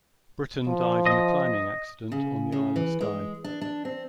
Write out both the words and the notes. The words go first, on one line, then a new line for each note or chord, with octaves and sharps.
Britton died in a climbing accident on the Isle of Skye.
F3
D#5
C#3
C#3
E3
G#3
D4
D4
C4